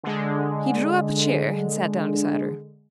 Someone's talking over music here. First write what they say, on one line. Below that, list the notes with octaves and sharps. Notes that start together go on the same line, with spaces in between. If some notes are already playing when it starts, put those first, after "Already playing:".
He drew up a chair and sat down beside her.
D3 G#3